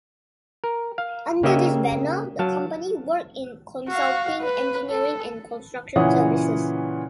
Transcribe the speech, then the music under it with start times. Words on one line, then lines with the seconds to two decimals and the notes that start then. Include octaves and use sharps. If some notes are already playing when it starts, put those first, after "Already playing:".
Under this banner, the company worked in consulting, engineering and construction services.
0.64 A#4
0.98 F5
1.43 C#3 A#3 G4 D#5 E5
2.39 F#3 F5 A5
3.88 F#4 F5
4.41 B4
4.90 A4
5.96 A#2 C#3 E3 C#5 F#5 D#6